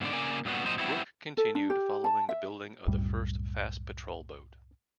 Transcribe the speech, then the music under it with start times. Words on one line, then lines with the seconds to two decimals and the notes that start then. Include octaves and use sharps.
Works continued following the building of the first fast patrol boat.
0.01 G#2 B2 D3 D5
0.13 C#3 A#3 D5 G#5
0.45 G2 A#2 D3 A#3 B3 F#4
0.64 F2 A#2 F#3 C5 D#5
0.79 G3 B3 C4 E4 F#4
1.37 A4
1.55 D4
1.70 G4
2.04 A5
2.29 E5
2.87 C2 F#2 A2 G3